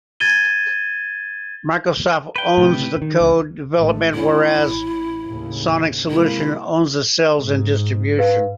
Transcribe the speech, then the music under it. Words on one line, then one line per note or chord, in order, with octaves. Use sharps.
Microsoft owns the code development whereas Sonic Solutions owns the sales and distribution.
G#6 A6 D#7 G7
B4 G5
A2 C3
D#3
C#2
A1 G#3 A3
E2 C#4 E4
A1
D#2 A2 C#3
C3 G#3 A#3 E4
G#2
B4 F5